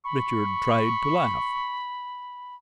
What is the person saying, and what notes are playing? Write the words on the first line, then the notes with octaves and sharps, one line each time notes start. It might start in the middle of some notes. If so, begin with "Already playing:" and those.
Richard tried to laugh.
B5 C#6